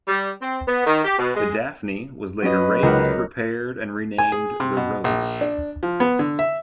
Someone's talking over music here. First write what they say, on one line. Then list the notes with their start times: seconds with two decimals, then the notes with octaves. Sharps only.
The "Daphne" was later raised, repaired, and renamed the "Rose".
0.07 G3
0.41 C4
0.67 B3
0.86 D#3
1.05 G4
1.18 B2
1.35 G#3
2.42 F#3 C#4 B4 D#5
2.83 C#2 A#4 F#5
4.18 G#5
4.32 G#4
4.60 C3
4.77 B2
5.04 A#1
5.41 D4
5.83 F3
6.00 B3
6.19 D3
6.39 E5